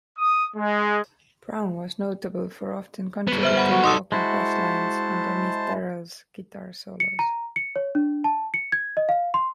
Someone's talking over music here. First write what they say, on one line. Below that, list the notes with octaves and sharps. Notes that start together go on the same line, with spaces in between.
Brown was notable for often contributing walking basslines underneath Darrell's guitar solos.
D#6
G#3
G3 B3
C5 E5 F6
F#5 B5
F#4
D#4 A4 C6 D#6 E6
G#3 E4 F#4 C5 A5
C#7
A#5
C#7
C#5
D4
A5
C#7
G#6
D#5
F5
C6